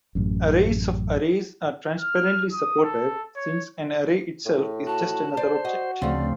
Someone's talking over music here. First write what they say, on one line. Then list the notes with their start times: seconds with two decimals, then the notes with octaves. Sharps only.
Arrays of arrays are transparently supported since an array itself is just another object.
0.15 A1 F#2
1.99 F6
2.52 D#6
2.84 A4
3.36 C#5
4.46 A2
4.87 F#4 A5
5.37 C5 D5
5.65 F#4 D#5
6.02 D2 C#3 F3 A3 C4 D5